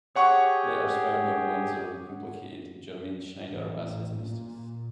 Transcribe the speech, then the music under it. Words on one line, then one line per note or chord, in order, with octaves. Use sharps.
Letters found on Wenzel implicated Germaine Schneider as his mistress.
G4 G#4 C#5 F#5 C#6
A1
A#2